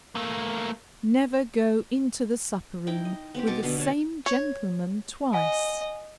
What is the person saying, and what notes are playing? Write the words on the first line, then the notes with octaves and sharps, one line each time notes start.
Never go into the supper-room with the same gentleman twice.
A3 A#3
D#4 E4 G5
D#5
B3 C4 G4
B2 A4 D6
B2 D3 B3
B2 C#5 A5
C#5
D#5 F#5 G#5